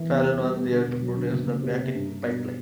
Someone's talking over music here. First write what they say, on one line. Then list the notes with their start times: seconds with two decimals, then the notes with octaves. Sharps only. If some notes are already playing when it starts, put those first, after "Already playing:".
Fallon was there to protest the Bakken pipeline.
Already playing: E3
0.09 E2
0.25 E2
0.40 G3
0.55 B3
0.71 D3
0.86 E1
1.02 F#3
1.17 D3
1.32 F#1
1.48 F#1
1.63 C3
1.79 C3
1.94 G2
2.09 G2
2.25 B2